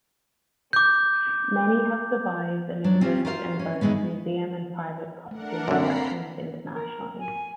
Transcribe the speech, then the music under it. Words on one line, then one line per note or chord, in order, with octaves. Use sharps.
Many have survived and exist in both museum and private costume collections internationally.
D6 G6
F#3 D4
C4 C#4 F4 G4
F4 F#4 A#4 C5 D5 F5
C#4
D#3 F3 G#3 A3 B3
A3 D4 A#4 F#5
F#2 D3 A#3 C4 A#5 B5 C7
A#4
G#5